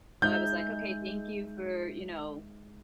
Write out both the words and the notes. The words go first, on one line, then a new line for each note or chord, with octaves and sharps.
So, I was, like, okay, thank you for, you know?
G#3 D#4 E5 G6